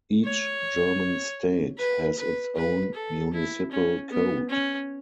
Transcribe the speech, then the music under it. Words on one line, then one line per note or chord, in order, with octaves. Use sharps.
Each German state has its own municipal code.
C#5
B4
B4
B4
A4
E4
C#4
B3
C#4